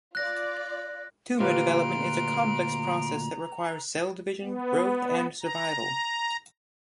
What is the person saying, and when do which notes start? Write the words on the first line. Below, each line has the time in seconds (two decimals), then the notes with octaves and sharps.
Tumor development is a complex process that requires cell division, growth, and survival.
0.15 F4 D5 F#6 A#6
1.40 D2 A#2 F4 G4 B4 A#5 C6 D7
4.42 B3
5.42 A#5